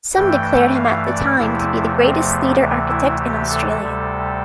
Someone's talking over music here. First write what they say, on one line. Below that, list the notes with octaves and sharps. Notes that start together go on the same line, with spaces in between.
Some declared him at the time to be the greatest theatre architect in Australia.
G2 E3 A3 G5
F5
D5
E2 C3 F3 A3 E4
C4
B3
D2 C3 E3 A3
E4
G4
A4
D2 C3 G3